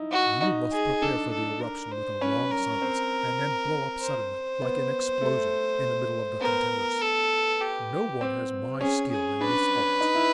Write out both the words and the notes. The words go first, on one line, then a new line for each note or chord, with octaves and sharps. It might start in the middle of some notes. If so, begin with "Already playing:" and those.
You must prepare for the eruption with a long silence and then blow up suddenly, like an explosion, in the middle of the contenders. No one has my skill in this art.
Already playing: D#4 E4
F#4
D#4
G#4
D4 A4
A4
A#4
C5
C#4 B4
A#4
C4
C5
B3
A3
B3 A#4
A4
G4
C4
C#4 G#4
G#4
D4 B4
D#4
E4